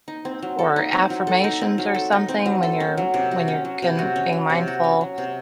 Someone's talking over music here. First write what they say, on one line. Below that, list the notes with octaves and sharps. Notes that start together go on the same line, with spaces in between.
or affirmations or something when you're when you're con being mindful,
D#4
C4
F#3
A4
D#4
C4
F#3
A4
D#4
C4
F#3
A4
D#4
C4
F#3
A4
C#4
F#3
C3
F#4
C#4
F#3
C3
F#4
C#4
F#3
C3
F#4
C#4
F#3
C3